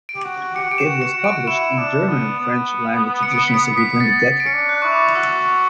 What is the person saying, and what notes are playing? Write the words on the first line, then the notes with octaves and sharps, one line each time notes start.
It was published in German and French-language editions within the decade.
D7
G4
F#4
G4 C#7
F#4
G4 D7
E7
F#4
C#7
F#4
D7
E4 E7
D4
B3
B3
C#7
D7
B6
C#7
B6
A6
A6
D7
C#4 C#7
D4
F#6
E4 C#6
D6
F#4 E6